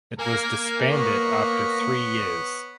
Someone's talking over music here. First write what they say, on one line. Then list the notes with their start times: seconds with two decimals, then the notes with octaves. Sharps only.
It was disbanded after three years.
0.19 A#3 A#4 G#5
0.91 B3 C#5